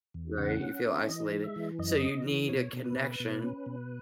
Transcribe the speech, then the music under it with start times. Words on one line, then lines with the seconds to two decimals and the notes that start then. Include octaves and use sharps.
right, you feel isolated. So you need a connection.
0.14 E2
0.38 C#3 F#5
0.62 C#4
0.85 C#4
1.08 E3 D#5
1.32 G#3
1.44 E5
1.56 E3
1.79 F#2 D#5
2.02 C#3
2.26 E3
2.49 B2 C#5
2.73 B2
2.84 B4
2.96 B2
3.20 B2
3.43 C#4
3.66 B2